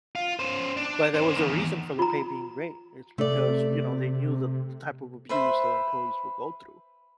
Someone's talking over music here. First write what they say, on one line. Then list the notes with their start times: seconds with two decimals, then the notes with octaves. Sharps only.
but there was a reason for the pay being great, it's because, you know, they knew that the type of abuse their employees will go through,
0.15 F4
0.39 C#4 C5
0.77 D4
1.14 C#4 C5
1.36 E2 D#3
1.99 F4 A#5
3.18 C3 A3 D5
5.29 B4 C5 E5